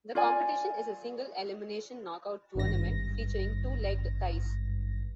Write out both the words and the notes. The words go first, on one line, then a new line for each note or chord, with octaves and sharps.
The competition is a single elimination knockout tournament featuring two-legged ties.
F4 D5 G#5
G#1 G2 A#6